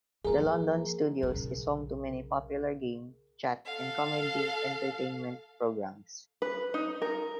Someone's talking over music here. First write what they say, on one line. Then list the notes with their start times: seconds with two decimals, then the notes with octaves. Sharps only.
The London Studios is home to many popular game, chat and comedy entertainment programmes.
0.24 F3 A#3 G#4 A#4
1.23 B1 C#3
3.65 A4 F5
6.42 B4
6.74 D#4
7.02 A#4